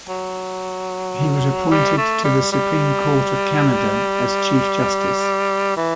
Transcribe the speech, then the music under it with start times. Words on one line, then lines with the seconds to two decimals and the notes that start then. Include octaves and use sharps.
He was appointed to the Supreme Court of Canada as Chief Justice.
0.08 F#3
1.71 G3
1.98 A3
2.24 G3
2.52 G3
5.76 E3